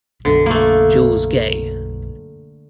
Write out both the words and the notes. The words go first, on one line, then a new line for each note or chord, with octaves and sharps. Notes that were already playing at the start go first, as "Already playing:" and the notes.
Jules Gay.
B1 F#2 D3
A3 A#3